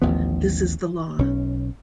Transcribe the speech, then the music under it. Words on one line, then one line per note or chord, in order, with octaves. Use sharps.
This is the law.
A1 D#2 F3 B3
B1 C#4